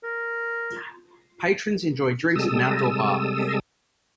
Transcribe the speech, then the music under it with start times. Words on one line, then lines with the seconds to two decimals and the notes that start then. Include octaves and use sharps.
Patrons enjoy drinks at an outdoor bar.
0.04 A#4
2.36 C3 G3 G#3 A4 D#6 E6